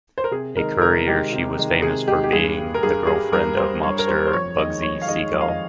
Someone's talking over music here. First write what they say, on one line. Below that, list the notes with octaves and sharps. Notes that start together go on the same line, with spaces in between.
A courier, she was famous for being the girlfriend of mobster Bugsy Siegel.
C5
A#4
C3 G#4
D#3 G#3 A#4
C3 A#4
D#3 G#3 G4
C3
D#3 G#3
C3 G#4
D#3 G#3 G4
G4
G2 G#4
G3
A#4
G2 G#4
G3 G#4
G2 A#4
G3 C5
G2 C#5
A#4
G3 C5
C5
F2 C#5
D#3 G#3 D#5
F2 C#5
F5
D#3 G#3 D#5
F2
F5
D#5